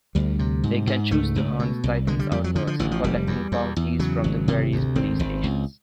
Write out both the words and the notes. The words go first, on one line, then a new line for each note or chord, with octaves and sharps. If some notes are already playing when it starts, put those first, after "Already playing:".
They can choose to hunt Titan's outlaws, collecting bounties from the various police stations.
D2 G3
C3
G#2
G#2
C#2 A3
C#2
B2
C2
D3 G#3
G3
F2 G3
F#3
D3 F3
F3
A1 E3
F3
F1 G3
E2
E2
E2
C#3 F#3
G#1
C3
D2
G#1 C4
G#1
C#2